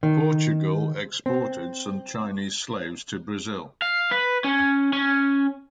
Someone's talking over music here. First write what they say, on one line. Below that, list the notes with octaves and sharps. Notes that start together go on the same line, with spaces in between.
Portugal exported some Chinese slaves to Brazil.
D#3
C4
F5
B4
C#4
C#4